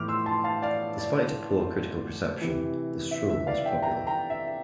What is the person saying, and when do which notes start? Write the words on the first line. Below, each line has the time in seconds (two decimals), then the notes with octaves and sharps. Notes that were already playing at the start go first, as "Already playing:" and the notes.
Despite a poor critical reception, the show was popular.
Already playing: A2 E3 D6 F6
0.08 C6 E6
0.26 A5 C6
0.44 F5 A5
0.62 D5 F5
0.98 D5
2.41 C3 E3
3.11 E5
3.30 E5
3.47 D5 F5
3.65 E5 G5
3.83 G5 A#5
4.07 G5 A#5
4.30 E5